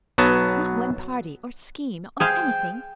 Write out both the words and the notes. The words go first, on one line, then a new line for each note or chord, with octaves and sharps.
Not one party, or scheme, or anything.
B1 F#3 B3 A5
G#4 C5 F5 G5